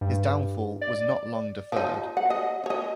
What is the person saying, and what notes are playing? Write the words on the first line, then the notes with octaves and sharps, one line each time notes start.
His downfall was not long deferred.
G2
D5
F3 D#4
F#5
D#5
C#5 D#5